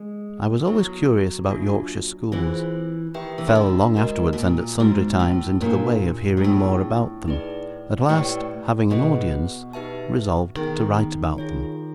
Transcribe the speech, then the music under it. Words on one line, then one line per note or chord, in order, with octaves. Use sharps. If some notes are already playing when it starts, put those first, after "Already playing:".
I was always curious about Yorkshire schools--fell, long afterwards and at sundry times, into the way of hearing more about them--at last, having an audience, resolved to write about them.
Already playing: G#3
F#3 B3 E4 A4
A#3 D4 F4
E3 C4 F4 G#4 C5
D#3 G4 B4 E5 G5
E3
D#3
D3
G#2 F#4 A#4 D#5
B2
A#2
G#2 B3 D#4 F#4
A2
A#2 D4 G4 A#4 C#5 F5
G#2
A2 B3 D4 F4 G#4
D#4 G#4 B4 D5
A2 E4 G4 B4 D5 G5
B2 G#4 B4 D#5
D#4 G4 B4 E5 A5
D#3 B3 D#4 G#4
F4 G#4 C#5